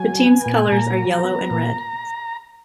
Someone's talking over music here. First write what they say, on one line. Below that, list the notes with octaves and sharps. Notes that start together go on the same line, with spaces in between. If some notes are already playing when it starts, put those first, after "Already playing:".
The team's colors are yellow and red.
Already playing: F#3 G#5
B3
A#2
A#2 A#5
F#3
B3
A#2